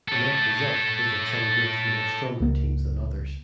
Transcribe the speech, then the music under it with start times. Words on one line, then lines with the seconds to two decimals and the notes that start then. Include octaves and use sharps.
The net result is that some groups may have stronger teams than others.
0.08 A4 C#5
2.40 C#2 A#3